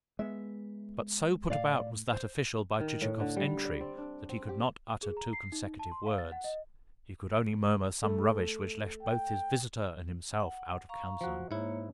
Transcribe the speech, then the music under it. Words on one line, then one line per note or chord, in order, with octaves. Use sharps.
But so put about was that official by Chichikov's entry that he could not utter two consecutive words--he could only murmur some rubbish which left both his visitor and himself out of countenance.
G#3 B3 E5
A2 D5 F5
C5
D#3
A2
D3
G3
D5
C4
D4
C4
G4
G#4
A#5
C7
D#4
A5
C6
F5
A6
F#5
D#5
A3
G5
F#5
F5 A#5 C#6
F3 F#4
G#2 A#3 E4 C#5